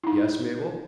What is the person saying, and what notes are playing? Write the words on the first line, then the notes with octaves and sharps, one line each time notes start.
"Yes, Mabel?"
D#4 E4